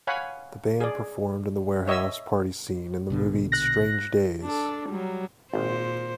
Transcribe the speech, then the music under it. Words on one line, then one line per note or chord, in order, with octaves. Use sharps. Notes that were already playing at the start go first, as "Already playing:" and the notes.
The band performed in the warehouse party scene in the movie "Strange Days".
C#5 F5 F#5 G#5 B5
G#4 D5
C#5 D#5 E5 E6
A#1 B2 D3
F#6 A#6
D4 A4
F#3 G3
G#1 A#2 C5